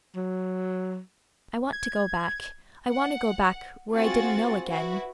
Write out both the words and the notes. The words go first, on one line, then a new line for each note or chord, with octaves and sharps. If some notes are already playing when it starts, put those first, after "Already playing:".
"I want to go back--I want to go back, where I didn't know--again."
F#3
G#6
F#5
C4 F4 F#4 G#4 F#5 A6
E4 F#4 B4